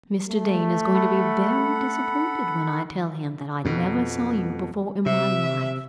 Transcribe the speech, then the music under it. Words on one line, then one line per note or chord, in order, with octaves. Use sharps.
Mr. Dane is going to be very disappointed when I tell him that I never saw you before in my life....
A3
A4 F#5 B5
F2 B2
C3 E5